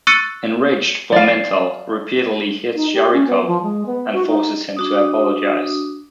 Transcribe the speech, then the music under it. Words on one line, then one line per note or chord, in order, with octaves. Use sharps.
Enraged, Bormenthal repeatedly hits Sharikov and forces him to apologize.
C#6 E6 F#6 A6 C#7 D#7
D5 F5
D#4
G4
C#4
B3
F3
G#3
B3
F#4
D#4
D4 F#4 D#6